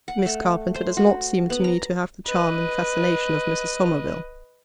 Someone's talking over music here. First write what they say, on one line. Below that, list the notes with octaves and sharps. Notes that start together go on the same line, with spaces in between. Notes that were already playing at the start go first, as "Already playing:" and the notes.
Miss Carpenter does not seem to me to have the charm and fascination of Mrs. Somerville.
F#5
A3
C5
F#4
B3
A#5
B4 D#5